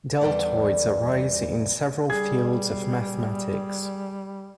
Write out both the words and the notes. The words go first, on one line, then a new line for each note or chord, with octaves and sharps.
Deltoids arise in several fields of mathematics.
E2 G3 A4 D5 F#5
G3 G#4 G#6